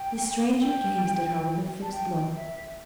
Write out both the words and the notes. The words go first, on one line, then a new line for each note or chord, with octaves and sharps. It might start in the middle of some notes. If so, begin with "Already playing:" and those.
The stranger gazed at her with a fixed look.
Already playing: G5
G5
A5
G5
E5